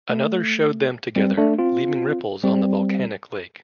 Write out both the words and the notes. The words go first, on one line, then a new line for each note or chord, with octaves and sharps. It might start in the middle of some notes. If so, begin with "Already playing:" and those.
Another showed them together, leaving ripples on the volcanic lake.
A3
G3 C4
A3 D4
C4 F4
G3 C4